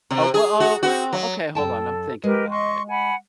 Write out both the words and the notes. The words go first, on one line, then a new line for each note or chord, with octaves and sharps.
Uh, we uh, well, okay, hold on, I'm thinking about it,
C3
G#4
F#4
F#4
F#3
F#2 A4 G5 A5
G#3 G4 A#4 B4
D#5 C6 C#6
F#5 G#5 B5